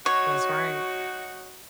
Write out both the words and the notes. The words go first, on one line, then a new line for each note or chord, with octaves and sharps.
That's right.
F#3 D#4 F#4 C#5